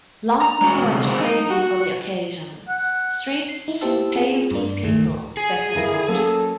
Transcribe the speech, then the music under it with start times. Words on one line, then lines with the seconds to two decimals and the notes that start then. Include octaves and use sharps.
London went crazy for the occasion: “Streets seemed paved with people,” Dekker wrote.
0.42 A#5
0.61 G#3 F#4
0.85 D2 C3
1.06 G#3 C4
1.21 D#4
1.50 F#4
2.69 F#5
3.49 C7
3.68 D#4 E4
3.81 E4 G4 C5 E5 A5 E6
4.16 C4 F4 G#4
4.51 G2 D4
4.83 C#2 A2 D#3 A3
5.37 G#4
5.75 D3 E4 F4 A#4
6.08 F#3 A#3 C#4 A4